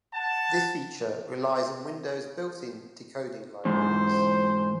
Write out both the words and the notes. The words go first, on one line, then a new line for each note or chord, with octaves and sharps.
This feature relies on Windows' built in decoding libraries.
F#5 A5
E2 G#2 C5